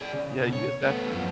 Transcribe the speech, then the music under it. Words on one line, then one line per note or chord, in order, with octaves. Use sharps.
Yeah, you just have to
G#4 D5
C#3
B2 D3
C#5
A3 B3
F#2 F3